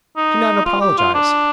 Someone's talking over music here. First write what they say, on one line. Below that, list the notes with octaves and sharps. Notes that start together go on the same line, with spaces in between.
Do not apologize.
D#4
F4
G4
F4
D4